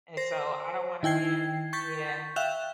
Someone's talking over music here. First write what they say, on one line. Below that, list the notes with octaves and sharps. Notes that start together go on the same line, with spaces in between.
and so, I don't wanna man yeah,
C5 A#6
D#3 E4 G5 G#6 C7
C#6 G6 A6 B6
E5 F5 G5 F#6